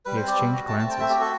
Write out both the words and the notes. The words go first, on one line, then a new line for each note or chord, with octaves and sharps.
We exchanged glances.
G3 B4
C5
C4
D5
G3
F#4
A3 A5
C4 A5
G5
A3 E5
G4
F#4
A4